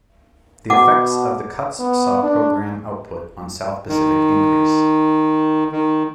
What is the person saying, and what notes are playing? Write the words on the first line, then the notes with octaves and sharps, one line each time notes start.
The effects of the cuts saw programme output on South Pacific increase.
B2 F#5 D6
B3
D4
D#3
D#3